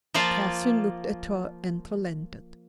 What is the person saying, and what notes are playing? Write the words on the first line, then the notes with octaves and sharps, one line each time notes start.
Catherine looked at her and relented.
F3 A#3 F4 D5